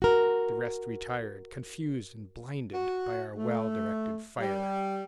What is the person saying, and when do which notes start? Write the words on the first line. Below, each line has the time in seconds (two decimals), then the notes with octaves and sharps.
The rest retired confused and blinded by our well-directed fire.
0.02 F#4 A#4
2.73 F#4
3.36 A3
4.39 G3